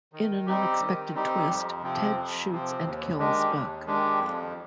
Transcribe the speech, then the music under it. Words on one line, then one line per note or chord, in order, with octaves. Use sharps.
In an unexpected twist, Ted shoots and kills Buck.
D#3
G3 C4 D#4 G4
D#3
G3 C4 D#4 G4
F2
C3 F3 C4
F2
C3 F3 C4
D#2
D#3 G#3 D4 G4
D#2
D#3 G#3 D4 G4
F2